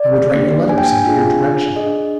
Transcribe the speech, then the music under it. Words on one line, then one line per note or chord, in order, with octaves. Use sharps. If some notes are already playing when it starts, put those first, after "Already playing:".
I would write your letters, under your direction.
Already playing: D5
A#3 D4 G4
G#5
G5
G#5
D4 F4 G#4
D4 G#4 D#5